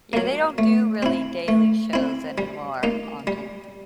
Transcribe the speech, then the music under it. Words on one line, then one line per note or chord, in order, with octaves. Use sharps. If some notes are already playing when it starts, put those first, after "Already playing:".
Yeah, they don't do really daily shows anymore on t
F#3 A#3
A3
C4 E4
A3
C4 E4
G3
A#3 D#4
G3